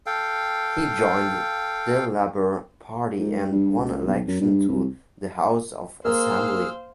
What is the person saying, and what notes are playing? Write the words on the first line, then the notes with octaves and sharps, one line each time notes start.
He joined the Labour Party and won election to the House of Assembly.
A4 F5 G5
G#2
G2
C#2
B1
F#2
G2
C2
A#3 G#4 C5 F5 E6 F6